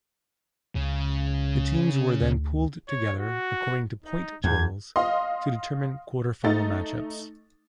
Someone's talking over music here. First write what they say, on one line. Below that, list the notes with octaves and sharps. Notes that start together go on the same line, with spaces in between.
The teams were then pooled together, according to point totals, to determine quarter-final match-ups.
C#2 C#3
D2
C#5
F#4
D#4
E2 G#6
D#5 F5 C6
A3 D#4 A6